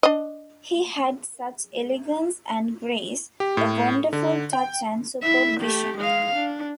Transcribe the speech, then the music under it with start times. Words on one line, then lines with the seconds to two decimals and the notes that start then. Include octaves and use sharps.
He had such elegance and grace, a wonderful touch and superb vision.
0.03 D4 D#5
3.40 G4
3.57 A2
4.13 D3
4.53 G5
5.22 E4 E5
5.60 A3 G4
5.98 G#3 F5
6.35 D4